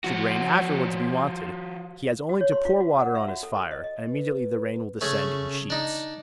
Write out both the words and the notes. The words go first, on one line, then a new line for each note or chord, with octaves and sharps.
Should rain afterwards be wanted, he has only to pour water on his fire, and immediately the rain will descend in sheets.
F3 F#4
F#4
C#5
C6
F4
F#4
F#5
E5
F#4
A4
A4
D#5
D#5
B4
C#3 A3 C#4 G#4
D4 D#4